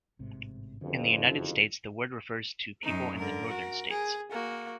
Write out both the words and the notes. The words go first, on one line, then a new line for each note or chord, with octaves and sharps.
In the United States, the word refers to people in the Northern states.
A1 G#2 C3
F#1 F2 D3
F#2 D#4
D3 A#4
F#4
G#4
A#3 F#4